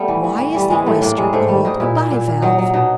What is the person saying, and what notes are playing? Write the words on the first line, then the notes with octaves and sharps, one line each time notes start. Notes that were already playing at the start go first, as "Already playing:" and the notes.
Why is the Oyster called a bi-valve?
Already playing: G3 A3 B3
E3
E3
E3
E3 G3
E3 G#3
A2 A3
A2 A#3
G3 G#3
G#2 A3
G3
G#2 D#4
A#2 E4
A#2
A#2
A#2
F#3 D#4
F#3
B2 D#4